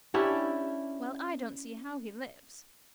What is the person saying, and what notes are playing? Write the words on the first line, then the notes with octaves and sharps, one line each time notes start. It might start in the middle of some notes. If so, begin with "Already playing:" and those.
"Well, I don't see how he lives!"
C#4 D4 E4 G4